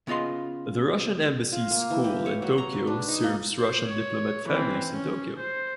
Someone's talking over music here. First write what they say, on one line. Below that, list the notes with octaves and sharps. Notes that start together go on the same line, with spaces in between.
The Russian Embassy School in Tokyo serves Russian diplomat families in Tokyo.
C#3 B3 F4 D#5 C6
F4
A#3
E3
G4
C#5
F#3
A#5
B4
D4
D#4
A#3
C5
C#5
E3 C4
C#4
C5